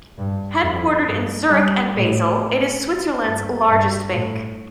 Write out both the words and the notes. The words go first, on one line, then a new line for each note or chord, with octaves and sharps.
Headquartered in Zurich and Basel, it is Switzerland's largest bank.
G2
F2
G2
G3
A2
G2
G2
A2